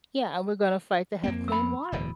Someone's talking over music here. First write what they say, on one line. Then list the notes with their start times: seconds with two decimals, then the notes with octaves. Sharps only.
Yeah, and we're gonna fight to have clean water,
1.24 F2 A#3 C4
1.48 B5 E6
1.92 D1 E2 B2